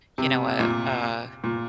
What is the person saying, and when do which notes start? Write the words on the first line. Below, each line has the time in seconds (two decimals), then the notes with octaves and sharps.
you know, a a
0.18 C3
0.60 A#2
1.44 A#2